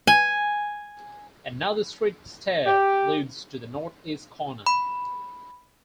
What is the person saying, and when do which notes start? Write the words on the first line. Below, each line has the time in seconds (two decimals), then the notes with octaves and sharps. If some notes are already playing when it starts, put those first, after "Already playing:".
Another street stair leads to the northeast corner.
0.07 G#5
2.66 G4
4.67 B5